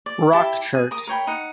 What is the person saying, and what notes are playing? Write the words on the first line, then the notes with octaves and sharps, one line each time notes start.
Rock Chart.
D5
E4 G4 A5
G#4
A#4 A#5 D#6
A#4 C#5 G5 B5
D#4 F#5